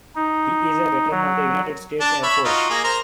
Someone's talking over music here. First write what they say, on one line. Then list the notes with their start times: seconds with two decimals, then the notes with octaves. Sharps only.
He is a veteran of the United States Air Force.
0.16 D#4
1.10 F#3
2.00 D4 A5
2.23 C#5 E5 B5
2.45 D#4 F4 F#4
2.70 A#3 G#4
2.84 A#4 C5 A#5